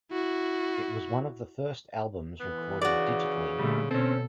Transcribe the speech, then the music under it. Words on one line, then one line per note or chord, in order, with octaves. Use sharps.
It was one of the first albums recorded digitally.
E4 F#4
E3 B3
C#3 F#4 D5
A#2 D3 G3 A3
B2 C4 C#4 A4